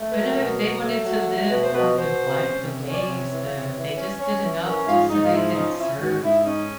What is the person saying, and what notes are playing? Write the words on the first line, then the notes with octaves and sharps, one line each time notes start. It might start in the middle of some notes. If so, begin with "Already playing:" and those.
But no, they wanted to live by the wa the waves, though. They just did enough just so they could surf.
Already playing: A3
B4
F#3 A#4
B2
F#3
A3 A4
F#3
A3
B2 B4
C5
B2 B4
B2 C5
C3
C#4
C3
C#4 C#5
D5
C#5
C3
E3
C3
E3
C#4
C#4 C#5
E3
C#4 A#4
E4
G#2 F4
G#2 D#4
F4
F3 E4
C#4 D#4
C#4 E4
G#2 F#4
G#2 E4
C#4 D#4